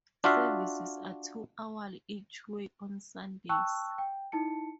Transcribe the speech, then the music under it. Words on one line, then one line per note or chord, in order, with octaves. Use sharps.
Services are two-hourly each way on Sundays.
D4 F4 F#4 E5 F5
G5 A5 C#6 E6 F#6
G5
D#4 E4 A5 C#7